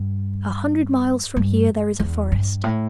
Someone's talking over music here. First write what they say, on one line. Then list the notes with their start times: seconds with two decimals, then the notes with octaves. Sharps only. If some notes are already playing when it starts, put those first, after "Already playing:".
A hundred miles from here there is a forest.
Already playing: G2
1.36 G2
1.99 E2
2.32 G2
2.64 A2